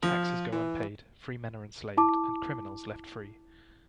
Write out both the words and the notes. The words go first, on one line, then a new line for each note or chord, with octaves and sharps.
Taxes go unpaid, free men are enslaved, and criminals left free.
F3
E3
E4 A5 D6